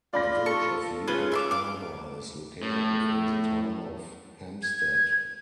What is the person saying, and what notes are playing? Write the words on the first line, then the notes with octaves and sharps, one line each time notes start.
The Village of Hewlett Harbor is located within the Town of Hempstead.
F4 D5 B5 A#6
A4 C#6
C#3 C#4 F4 B4
E5 C6 D6
F5 D6
A2
G#6